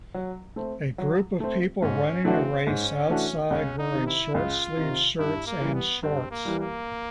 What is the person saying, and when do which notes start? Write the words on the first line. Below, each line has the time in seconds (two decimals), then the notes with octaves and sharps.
A group of people running a race outside wearing shortsleeve shirts and shorts.
0.14 F#3
0.56 A3 C4
0.98 F#3
1.40 A3 C4
1.82 G#2 C#4
2.24 E3 A3 C4 D4 F#4
2.66 G#2 C#4
3.08 E3 A3 D4 F#4
3.50 C#2 C#4
3.78 D#4
3.93 C3 D#3
4.06 E4
4.34 C#2 F4
4.77 C3 D#3
5.19 G2 E4
5.47 A#3
5.61 E3 G3
5.75 B3
6.02 G2 C4
6.31 A#3
6.45 E3 G3
6.59 A#3